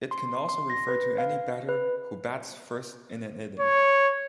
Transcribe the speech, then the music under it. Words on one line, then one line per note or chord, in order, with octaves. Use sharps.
It can also refer to any batter who bats first in an inning.
C6
C6
A#6
B4
F5
B4
C#5